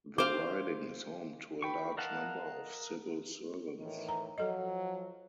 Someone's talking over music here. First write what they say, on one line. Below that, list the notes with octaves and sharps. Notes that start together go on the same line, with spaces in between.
The riding is home to a large number of civil servants.
C5 F5 D6
B4 G5 C#6
A#4 D#5 F5 F#5 A5
A2 D#3 E3
A#5
F3 F#3 A4 D#5